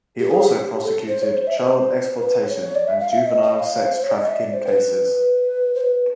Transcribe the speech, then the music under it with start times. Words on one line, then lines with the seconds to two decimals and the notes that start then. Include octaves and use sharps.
He also prosecuted child exploitation and juvenile sex trafficking cases.
0.19 G4
0.31 G#4
0.44 G4
0.84 A4
1.08 C5
1.22 C#5
1.34 C5
1.47 E5
1.60 C5
2.17 A#4
2.23 B4
2.49 C#5
2.62 C#5
2.75 D5
2.87 E5
3.00 F5
3.12 E5
3.26 D#5
3.43 D#5
3.60 F5
3.95 C5
4.03 C#5
4.10 D5
4.19 D#5
4.28 E5
4.40 D5
4.53 C5
4.66 B4
5.75 C5
5.81 B4